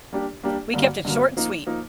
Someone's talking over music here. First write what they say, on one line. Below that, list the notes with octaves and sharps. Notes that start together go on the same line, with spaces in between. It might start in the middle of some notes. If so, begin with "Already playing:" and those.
"H we kept it short and sweet,"
G3 A#3 D4 G4
G3 A#3 D4 G4
G2 D3 F#3 A#3
G2 D3 F#3 A#3
F3 A#3 D#4
F3 A#3 D#4